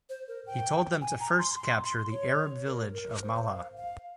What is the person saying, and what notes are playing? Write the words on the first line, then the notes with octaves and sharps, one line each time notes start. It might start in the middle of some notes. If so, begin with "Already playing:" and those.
He told them to first capture the Arab village of Malha.
C5
A#4
G5
G#5
A#5
C6
C6
C6
C#5
A#4
A#4
C5
F5
F5